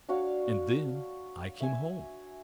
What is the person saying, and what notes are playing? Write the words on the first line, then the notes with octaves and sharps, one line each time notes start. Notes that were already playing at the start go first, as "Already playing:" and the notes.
And then I came home.
D4 F#4 C#5 F5
E5 G#5